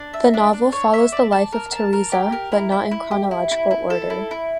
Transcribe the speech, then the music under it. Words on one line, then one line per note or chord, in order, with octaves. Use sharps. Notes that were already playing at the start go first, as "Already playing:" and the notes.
The novel follows the life of Tereza, but not in chronological order.
Already playing: D4
E5
D4
D4
C#5
E5
D5
A5
A#4
A5
A#4
G4
A#4
E4
E4
E4
G4
E4
E4
E4
A4
E4
E4